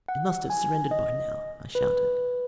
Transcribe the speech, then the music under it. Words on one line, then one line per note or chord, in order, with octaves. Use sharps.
"It must have surrendered by now," I shouted.
F#5
G#5
D#5
B4